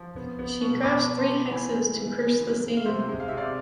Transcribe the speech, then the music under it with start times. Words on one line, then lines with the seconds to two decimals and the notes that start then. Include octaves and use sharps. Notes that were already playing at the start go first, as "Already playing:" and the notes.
She crafts three hexes to curse the sea.
Already playing: F3
0.16 B3
0.39 B3
0.61 B2
0.83 B2 B5 D6
1.06 B3
1.17 A5 C6
1.28 B3
1.51 E3 G#5 B5
1.74 G#3
1.95 E3
2.18 B3
2.40 E3
2.63 G#3
2.77 F5
2.86 C3 C5 E5
3.08 G#3
3.20 F5
3.28 C3 E5
3.37 D5 F5